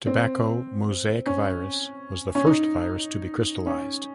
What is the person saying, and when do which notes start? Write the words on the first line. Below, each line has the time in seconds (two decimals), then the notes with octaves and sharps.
Tobacco mosaic virus was the first virus to be crystallized.
0.07 C4
1.26 C#4
2.35 C#4
2.46 D#4
3.66 C#4